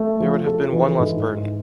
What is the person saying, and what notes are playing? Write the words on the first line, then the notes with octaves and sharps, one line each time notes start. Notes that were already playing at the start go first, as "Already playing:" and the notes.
There would have been one less burden.
Already playing: A3
F3
A4
E3
G#2